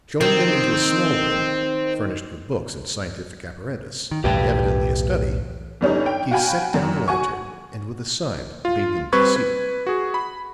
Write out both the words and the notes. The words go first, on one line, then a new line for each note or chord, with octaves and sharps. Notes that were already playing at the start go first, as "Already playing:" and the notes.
Showing them into a small room furnished with books and scientific apparatus and evidently a study, he set down the lantern and with a sign bade them be seated.
D#3 C4
D#3
B1 E2 A2 G4 B4 G5
G1 G3 C#4 D#4
G5
F#4 F5 G5 G#5 B5
F#2
F#4 G#5 C#6
F4
G3 C4 B4 C#6 G#6
B4
F#4 G#4
B5